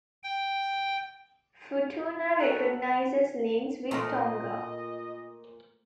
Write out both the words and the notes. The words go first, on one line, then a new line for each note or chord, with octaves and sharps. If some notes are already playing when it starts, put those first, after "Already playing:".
Futuna recognizes links with Tonga.
G5
F#4 A4 A#4 F5 A#5 F#6
A#2 A3 F4 A#4 D#5